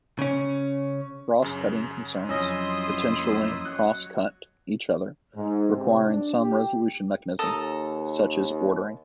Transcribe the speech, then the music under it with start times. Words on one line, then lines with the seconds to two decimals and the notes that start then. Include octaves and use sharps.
Cross-cutting concerns potentially cross-cut each other, requiring some resolution mechanism, such as ordering.
0.19 C#3 C#4
1.42 F#2 C#3
2.29 F2 F#3 C#4 E4 D#5 C6 D#6 E6
3.19 A#3
3.65 F#3 F#6
5.36 G#2
5.75 C3
6.06 D4
6.40 G4
7.39 D#2 A4 A#5 D#6